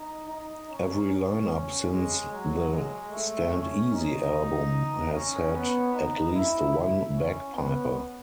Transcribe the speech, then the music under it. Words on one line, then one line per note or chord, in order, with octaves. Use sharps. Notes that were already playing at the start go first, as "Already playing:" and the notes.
Every line-up since the "Stand Easy" album has had at least one bagpiper.
Already playing: D#4
D#4
C#4
C#4
G#3
F#3
G#3
A3
C#4
D#4
C#4
B3
D#4
E4
E4
C#4
B3